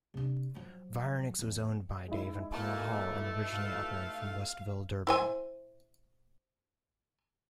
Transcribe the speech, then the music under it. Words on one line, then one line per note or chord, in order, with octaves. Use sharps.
Vironix was owned by Dave and Paula Hall and originally operated from Westville, Durban.
C3 D4
F3 F#3
E2
G#3 D#4 E4
B2 A3 A#3
F5
E4 C5 G#5